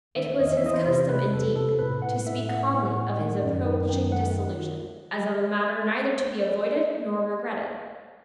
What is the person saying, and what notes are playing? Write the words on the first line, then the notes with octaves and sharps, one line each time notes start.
It was his custom, indeed, to speak calmly of his approaching dissolution, as of a matter neither to be avoided nor regretted.
D#3 E5
E2 D#5
E5
E3 D#5
C5
C3
C3 B4
E2 A4
C3 A4
A2 B4
A2 F#5
A2 E5
A2 F#5
A2
A2
D#3
F#2
D#3
F#2 G5
D#3 F#5